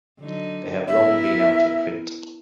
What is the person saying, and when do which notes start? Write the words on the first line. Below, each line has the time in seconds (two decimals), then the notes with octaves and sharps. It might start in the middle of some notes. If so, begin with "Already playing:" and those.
They have long been out of print.
0.19 D3 F#3 D#4
0.88 B3 E4 A#4 E5